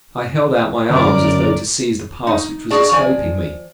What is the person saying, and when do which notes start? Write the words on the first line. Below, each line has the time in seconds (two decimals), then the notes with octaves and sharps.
I held out my arms as though to seize the past which was escaping me.
0.90 F#2 D3 A#4 D5
2.27 D#4
2.70 D4 F#4 G#4 D5 D#5
2.91 F3 D5 G#5